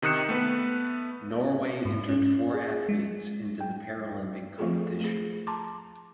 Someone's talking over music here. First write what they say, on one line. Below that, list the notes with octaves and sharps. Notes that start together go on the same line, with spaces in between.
Norway entered four athletes into the Paralympic competition.
C3 D#3 D#6 F#6 C#7 E7
A3 B3 B4
G#2
C#4
G#4
G#3
G5
F3 A3 C4 F4 G#4 A4
A3 G#4
A5 A#5 C6 D6